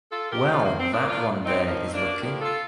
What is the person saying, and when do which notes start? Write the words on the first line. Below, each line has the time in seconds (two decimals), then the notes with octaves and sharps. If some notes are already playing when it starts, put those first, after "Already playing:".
Well that one there is lucky.
0.11 F4 A4
0.30 G4 A#4
0.50 D2 C3 D#3 F4 A4
0.64 A#3
0.79 C4
0.93 A#3 D4
1.07 A2 F3 A#3 D4 F4
1.45 C4 D#4
1.65 A2 F3 A#3 C4 D#4
1.88 C4
1.94 A#3 D4
2.22 A2 F3 A#3 G4 A#4
2.41 F4 A4